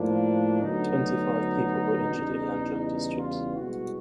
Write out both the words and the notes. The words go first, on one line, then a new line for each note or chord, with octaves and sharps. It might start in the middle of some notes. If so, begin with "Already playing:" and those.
Twenty-five people were injured in Lamjung District.
Already playing: A2 F3 A#3 D4
D2 D3 F#3 B3 D#4
E2 C#3 E3 G3
D#4
F4
C2 B2 G#3 B3 F#4